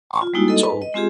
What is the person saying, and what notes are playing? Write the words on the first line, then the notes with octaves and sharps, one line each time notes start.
Um, so
F4
G3 G#3 A#3 D#4 E4 F#4
A4 D#5
B4
D#5
G#3 C4 F4 G4 G#4